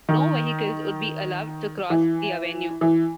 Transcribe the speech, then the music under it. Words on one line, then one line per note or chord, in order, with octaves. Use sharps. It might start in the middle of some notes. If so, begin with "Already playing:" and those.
No vehicles would be allowed to cross the avenue.
D#3
E3
E3